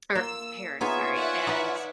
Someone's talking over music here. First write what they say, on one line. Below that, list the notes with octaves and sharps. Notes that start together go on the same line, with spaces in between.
or, Paris, sorry, and
A#3 F4 E6
B3 D#4 F4 G#4 C#5 E5 G#5
D5 E5 F#5
D#4 B4